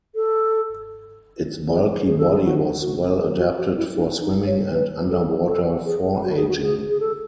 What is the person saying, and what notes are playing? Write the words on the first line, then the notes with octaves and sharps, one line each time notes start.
Its bulky body was well adapted for swimming and underwater foraging.
A4
G#4
G#4
A4
G#4
F#4
F#4
G#4
F#4
F#4
E4
D#4
D#4
C#5
B4
A4
A4
G#4
F#4
G#4
F#4
G#4
G#4
A4